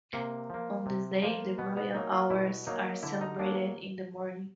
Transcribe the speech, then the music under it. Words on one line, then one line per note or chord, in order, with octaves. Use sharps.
On this day the Royal Hours are celebrated in the morning.
C3 A#3
F3 A#3
C3
F3 A#3
B2 B3
B3
F#3 A#3 D#4
F4
B2 E4
F#3 A#3 D#4
D3 E4
D#4
F#3 A#3 D4